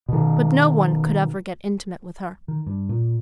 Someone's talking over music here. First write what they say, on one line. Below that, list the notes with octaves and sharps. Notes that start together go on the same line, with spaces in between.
But no one could ever get intimate with her.
B2 D#3
D#3
G2
A#2